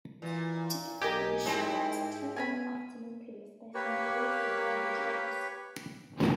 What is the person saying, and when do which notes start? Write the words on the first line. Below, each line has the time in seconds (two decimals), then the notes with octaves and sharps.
A typical early show was a two-hour afternoon piece based on viewers' wedding videos.
0.22 A#2 E3
1.02 B1 G4 A#4 D#5 G#5
1.45 G#2 G#3 C4 E4
2.36 B3 G#5 A#5 B5
3.75 A#3 G4 B4 C#5